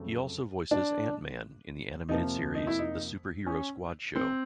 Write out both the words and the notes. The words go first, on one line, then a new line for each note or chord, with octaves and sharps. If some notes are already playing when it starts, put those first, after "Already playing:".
He also voices Ant-Man in the animated series "The Super Hero Squad Show".
Already playing: F2 C#3 F#3 A3
D4
F2 C3 F3 A#3 D#4
D#4
E4
D#4
C#4
C4